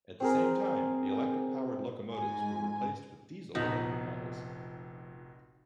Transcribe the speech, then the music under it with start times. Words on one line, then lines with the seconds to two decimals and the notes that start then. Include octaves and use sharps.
At the same time, the electric-powered locomotives were replaced with diesel-electric models.
0.20 C4 G#4 A#4
2.12 G#2 G#5
3.55 F1 A#1 F3 B3 D#4 F#4 D#5